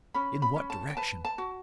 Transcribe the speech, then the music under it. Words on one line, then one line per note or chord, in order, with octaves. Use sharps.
"In what direction?"
C#4 B5
B5
C#4
A5
G5
B4 A5
A5
F#4